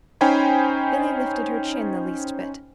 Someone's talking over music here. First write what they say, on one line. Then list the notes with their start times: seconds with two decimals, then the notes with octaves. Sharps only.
Billy lifted her chin the least bit.
0.21 C#4 D#4 C5 G5 G#5 B5